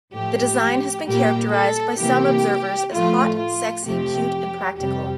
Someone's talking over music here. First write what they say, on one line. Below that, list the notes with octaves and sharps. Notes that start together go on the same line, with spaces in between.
The design has been characterized by some observers as hot, sexy, cute and practical.
A2 F3 A3 G4
A#2 G3 A#3 G4
A4
C3 E3 A#3 G4
A2 F3 A3 F4
F4
F2 C3 F3 A3 G4
F2 C3 G3 G4